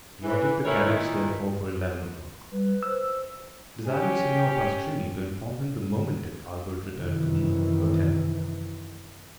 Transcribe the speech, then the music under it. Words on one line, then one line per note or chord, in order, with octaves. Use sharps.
He ordered the carriage, therefore, for eleven o'clock, desiring Signor Pastrini to inform him the moment that Albert returned to the hotel.
E3
D#3 E3 A3 E4 A#4 C#5
A#2 D#3 E4
G3 B4
C5 E6
C#4 G4
F#2 C3 D#3 E3